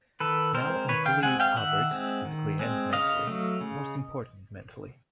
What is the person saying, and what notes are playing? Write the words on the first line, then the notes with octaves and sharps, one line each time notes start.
Now I'm fully recovered, physically and mentally, most important mentally.
D#3 A4 B4
G#3 C4 A#4 C5
D#3 B4 C#5
F5 G5
G#3 C4 F#5 G#5
F5 G5
D#3 E5 F#5
G#3 C4
D#3
G#3 C4
C#3 D#5 F5
F#3 A3
C#3